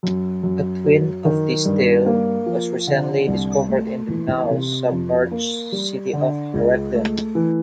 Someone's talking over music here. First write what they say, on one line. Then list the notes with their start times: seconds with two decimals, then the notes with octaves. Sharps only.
A twin of this stele was recently discovered in the now-submerged city of Heracleion.
0.03 F#2
0.43 F#2
0.84 F#3
1.25 D#3
1.65 G2
2.06 A#3
2.46 F3
2.87 D3
3.28 C2
3.69 A3
4.09 E3
4.50 C3
4.91 F2
5.31 A#3
5.72 G3
6.13 D3
6.54 C#2
6.94 A3
7.35 E3